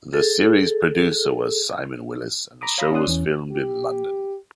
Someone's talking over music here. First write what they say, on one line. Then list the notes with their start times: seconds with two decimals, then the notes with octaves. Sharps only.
The Series Producer was Simon Willis and the show was filmed in London.
0.13 G#4 A4
2.61 A#5 B5 D6 D#6
2.78 C#5 F5 A#5 B5 D#6 A#6
2.92 C#4 D5 C6 D#6 F#6
3.07 E2 E3 C#4
3.52 G4